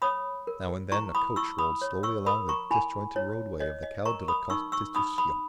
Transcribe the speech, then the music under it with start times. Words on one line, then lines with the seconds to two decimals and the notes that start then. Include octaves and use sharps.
Now and then a coach rolled slowly along the disjointed roadway of the Calle de la Constitucion.
0.02 C#5 B5 D#6
0.47 A#4
0.92 E4 A#5 C#6
1.15 B5 D#6
1.36 E4 C#6 E6
1.59 B5 D#6
1.81 C#5
2.03 C#6 E6
2.27 A#4 B5 D#6
2.49 A#5 C#6
2.71 E4 G#5 B5
3.16 E4 C#5
3.60 C#5 D#5
3.83 D#5
4.05 A#4 A#5 C#6
4.28 B5 D#6
4.50 D#4 C#6 E6
4.72 C#6 E6
4.95 D#4 B5 D#6
5.18 B5 D#6